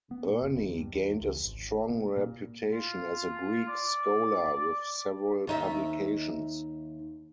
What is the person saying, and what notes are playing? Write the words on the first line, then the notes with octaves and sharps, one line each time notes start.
Burney gained a strong reputation as a Greek scholar with several publications.
B3
A#2
F1
D#2
G2
E2
C#2
G#1
B2
A#2
F4
D5
D#2 D#4 E5